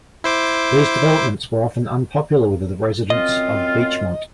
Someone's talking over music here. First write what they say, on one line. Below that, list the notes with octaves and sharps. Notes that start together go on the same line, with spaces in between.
These developments were often unpopular with the residents of Beechmont.
E4 C5 D6
F#2 C4 F4 D#5